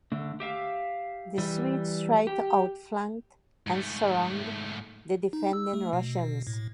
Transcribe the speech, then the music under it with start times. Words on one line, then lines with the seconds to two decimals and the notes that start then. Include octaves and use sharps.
The Swedes tried to outflank and surround the defending Russians.
0.12 D3 A3
0.40 G4 E5 F5
1.38 E3 G3
2.27 G4
3.67 G#2 A3
5.33 D#4
5.53 E6
5.73 A3
5.93 B2
6.47 A2